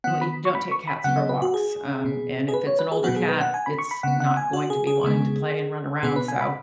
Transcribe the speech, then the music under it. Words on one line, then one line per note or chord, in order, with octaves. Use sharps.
Well, you don’t take cats for walks, um, and if it’s an older cat, it’s not going to be wanting to play and run around. So,
D#3 B3 F#5
B5
C#6
B5
C#6
B5
C#3 F#3 B3 F#5
D#5
B4
F#4
G#4
B2 B3
G#4
B4
C#5
B4
G#4
B2 F#3 B3 F#4
G#4
B4
F#5
G#5
B5
C#6
B5
C#3 B3 F#5
F#5
G#5
F#4
G#4
G#4
C#3 G#3 B3
B2 B3 G#4
B4
G#5
B5